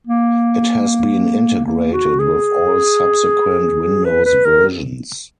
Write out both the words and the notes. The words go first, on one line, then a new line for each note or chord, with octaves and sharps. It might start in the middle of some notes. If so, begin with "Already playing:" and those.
It has been integrated with all subsequent Windows versions.
A#3
A#3
F#4
G#4
B4
B4
A#4